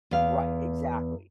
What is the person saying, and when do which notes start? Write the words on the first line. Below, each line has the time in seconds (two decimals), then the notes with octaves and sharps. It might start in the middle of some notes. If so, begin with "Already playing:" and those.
Right, exactly.
0.11 E2 F5